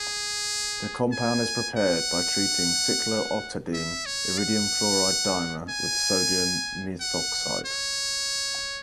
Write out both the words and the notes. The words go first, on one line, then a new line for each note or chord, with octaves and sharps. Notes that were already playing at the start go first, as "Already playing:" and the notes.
The compound is prepared by treating cyclooctadiene iridium chloride dimer with sodium methoxide.
Already playing: G#4
G#5
F#5
E5
C#5
F#5
G#5
F#5
C#5